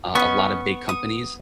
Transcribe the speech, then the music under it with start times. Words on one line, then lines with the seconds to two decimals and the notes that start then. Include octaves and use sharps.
uh, a lotta big companies,
0.15 B3 C#4 D#5 C#6
0.89 D#6